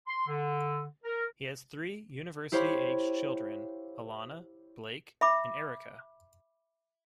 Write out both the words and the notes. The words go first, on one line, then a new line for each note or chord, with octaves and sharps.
He has three university-aged children, Alana, Blake, and Erica.
C6
D3
A#4
E4 G4 C5 C#5 F5 B5
E5 B5 D6